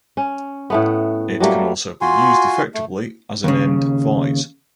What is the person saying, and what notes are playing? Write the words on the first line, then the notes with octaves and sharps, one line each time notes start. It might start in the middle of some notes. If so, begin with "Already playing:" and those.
It can also be used effectively as an end vise.
C#4
A2 A3 B3
F#3 G3 A3 A#3
F4 F#4 G#5 C6
A3
D#2 C#3